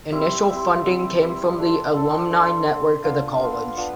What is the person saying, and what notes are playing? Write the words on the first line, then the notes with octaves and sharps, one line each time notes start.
Initial funding came from the alumni network of the college.
G3 C4 E4
G3 C4 E4
G3 C4 E4
G3 C4 E4
D4 A4 C5
D4 A4 C5
D4 A4 C5
D4 A4 C5
B3 D4 F4
B3 D4 F4
B3 D4 F4